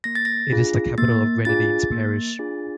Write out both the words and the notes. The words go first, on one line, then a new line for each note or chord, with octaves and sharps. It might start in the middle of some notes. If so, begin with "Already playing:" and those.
It is the capital of Grenadines Parish.
A#3 A#6
A6
A#6
D4 F4 G#4
A#3 A6
D4 F4 G#4 A6
A#3
D4 F4 G#4